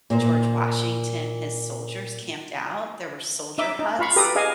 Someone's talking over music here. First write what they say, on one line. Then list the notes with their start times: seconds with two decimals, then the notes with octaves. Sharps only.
George Washington his soldiers camped out, there were soldier huts
0.10 A#2 A#3 C5
3.58 D#4 E5 D6
3.79 D#4
3.99 F4 F5 B5 C#6
4.16 G4 A4 B4 A#5 D#6
4.35 G#4 D#5 F5 G#5